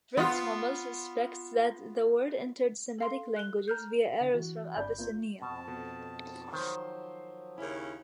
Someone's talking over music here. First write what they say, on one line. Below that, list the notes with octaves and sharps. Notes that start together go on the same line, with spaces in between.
Fritz Hommel suspects that the word entered Semitic languages via Arabs from Abyssinia.
B3 F4
A4 F5 C6
F#6 G7
A#5 F6 G6
D3
E3 F#4
G1 D5 B5 G6
A#3 F4
F2 B2 A5
B2 A4
D#3 F3 F#3 C5 C6
D#2 C#3 C#4 E4